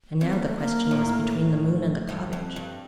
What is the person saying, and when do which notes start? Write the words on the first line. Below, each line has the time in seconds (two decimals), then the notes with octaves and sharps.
And now the question was between the moon and the cottage.
0.20 F2 C4
0.33 A#3
0.45 A3
0.57 A#3
0.91 A2
2.09 G2
2.33 F2
2.56 G2